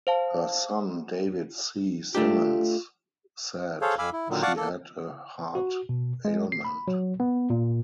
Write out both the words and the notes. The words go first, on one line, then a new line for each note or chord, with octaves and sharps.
Her son, David C. Simmons said she had a heart ailment.
C5 F5 A5
A3 D4 F4 G4
G#4 A4 C5 C#5 F5
F2 F5 G#5 B5 D6 E6
E4
A#2 D3 D#3 F#3
D5 F5 F#5 A5 C#6 D6
A#3 A4
F#4
B2
G#3
C7
B5
F#3
B3
A#2